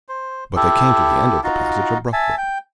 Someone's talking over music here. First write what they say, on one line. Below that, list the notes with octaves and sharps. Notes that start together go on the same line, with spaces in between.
But they came to the end of the passage abruptly.
C5
E4 G4 A4
D#4 F4 F#4
E5 G#5 A5
G5